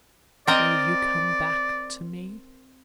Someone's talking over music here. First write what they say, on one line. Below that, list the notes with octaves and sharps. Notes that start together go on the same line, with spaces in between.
"Will you come back to me?"
C4 A#4 D5 D#5